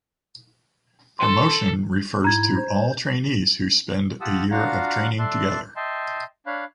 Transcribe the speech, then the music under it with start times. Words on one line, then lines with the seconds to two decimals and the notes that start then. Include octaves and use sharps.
Promotion refers to all trainees who spend a year of training together.
1.19 A4 C6
2.24 G#2 E4 A#5 G#6
2.56 C5
4.21 F4 G4 F#5 A5 D#6 E6
4.51 D4 F4 F#4 F5 F#5 A#5
5.19 A4 D5 E5 A5 C6 F#6
5.76 D#5 E5 G5 A5 C6
6.46 D4 C#5 F5 B5 F#6